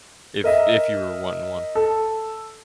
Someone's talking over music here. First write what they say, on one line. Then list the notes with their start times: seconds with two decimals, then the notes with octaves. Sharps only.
if if you were wanting one.
0.44 A#4 D#5 E5
1.75 A4